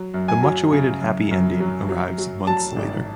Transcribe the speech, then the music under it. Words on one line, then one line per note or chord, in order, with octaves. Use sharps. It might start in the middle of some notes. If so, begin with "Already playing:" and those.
The much awaited happy ending arrives months later.
Already playing: F#3
F#2
G#5
F#3
C#3
F#2
F#2
F#3
F#3
F#3
F#3 A5
G#1